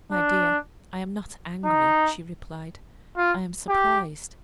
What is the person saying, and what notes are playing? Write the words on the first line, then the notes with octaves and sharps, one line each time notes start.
'My dear, I am not angry,' she replied: 'I am surprised.
D4
D#4
F4
G4